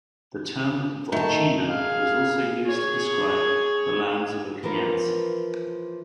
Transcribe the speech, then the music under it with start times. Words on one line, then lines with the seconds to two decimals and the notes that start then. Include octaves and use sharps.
The term "votchina" was also used to describe the lands of a knyaz.
1.12 D#3 A3 A5
1.69 G#4 F5
2.65 G#4 C#5
4.63 E3 F3 A#3 A#4